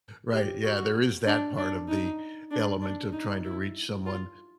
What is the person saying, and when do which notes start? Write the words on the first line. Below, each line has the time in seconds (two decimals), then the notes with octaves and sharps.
Right, yeah. There is that part of the element of trying to reach someone,
0.32 G4
0.63 F#4
1.26 D4
1.57 D4
1.88 D#4
2.51 D4
2.81 D4
3.13 D#4
3.44 E4
4.06 F4